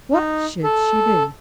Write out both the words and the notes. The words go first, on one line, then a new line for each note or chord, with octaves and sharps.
What should she do?
D#4
A4